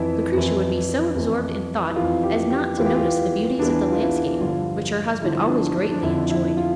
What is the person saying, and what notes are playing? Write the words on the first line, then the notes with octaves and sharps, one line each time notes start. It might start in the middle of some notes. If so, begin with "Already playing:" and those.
Lucretia would be so absorbed in thought as not to notice the beauties of the landscape, which her husband always greatly enjoyed.
Already playing: F2 E3 E4
F2 E3
F2 E3
E4
F2 E3 F4
G4
G4
E2 E3 F4
G4
F4
E2 E3 D4
F4
E4
G2 D3 F3 F4
G2 D3 F3 E4
D4
D4
D4
F2 D3 F3 E4
E4
F4